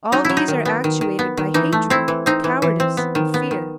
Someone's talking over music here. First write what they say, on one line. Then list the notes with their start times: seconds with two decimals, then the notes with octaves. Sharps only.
All these are actuated by hatred, cowardice and fear.
0.12 F#3 D#4
0.25 F#3 E4
0.37 D#4
0.48 D#3
0.65 B3
0.84 D#3
1.01 D#3
1.19 B3
1.37 D#3
1.54 E3 D#4
1.73 A3
1.90 C4 E4
2.08 E3
2.26 C4 D#4
2.44 E3
2.62 E3
2.80 C4
2.97 B3
3.15 D#3
3.34 B3
3.51 D#3